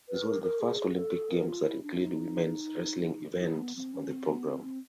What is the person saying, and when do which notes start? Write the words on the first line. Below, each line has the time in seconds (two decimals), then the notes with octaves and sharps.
This was the first Olympic Games that included women's wrestling events on the program.
0.09 B4
0.26 A#4
0.43 A#4
0.61 G#4
0.96 A4
1.30 A#4
1.48 F4
1.66 E4
1.83 D4
2.01 D#4
3.40 E4
3.57 B3
3.76 C4
3.93 C#4
4.10 C4
4.28 B3
4.45 C4
4.63 C4